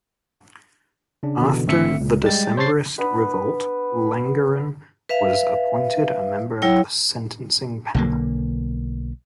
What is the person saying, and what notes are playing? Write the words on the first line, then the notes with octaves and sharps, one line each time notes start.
After the Decembrist revolt, Langeron was appointed a member of the sentencing panel.
C#3 C#4 D4
B2 D3 E3
G#1 D3 A3 C4 E5 C#7
C#2
G3 G#3 G5 A6
C5 C#5 A5 C#6 A6 C7
B3 D4 B4
B4 E5 F5
F#3 E4 C#5 G5
B1 D3 A#3